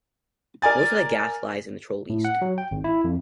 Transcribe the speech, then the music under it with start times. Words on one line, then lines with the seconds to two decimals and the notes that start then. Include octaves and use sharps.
Most of the gas lies in Troll East.
0.62 A#4 D5 G#5 A6
2.10 A2
2.25 F#5
2.42 F#3
2.58 G5
2.71 G#1
2.84 E4
3.04 F2